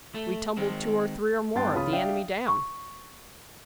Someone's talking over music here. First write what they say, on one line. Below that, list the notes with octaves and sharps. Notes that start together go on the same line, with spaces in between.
We tumbled two or three, or more, of the enemy down.
A3
D#3 G#3 C4
G2 B3 G5 C6 A6
C#2 C#3 F4 B5 D#6
D4 E5 F5 G5
C#6